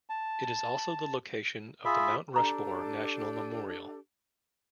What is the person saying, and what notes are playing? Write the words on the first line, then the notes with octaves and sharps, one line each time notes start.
It is also the location of the Mount Rushmore National Memorial.
A5
F4 G#4 E5 B5
D4 G4 A4 A#5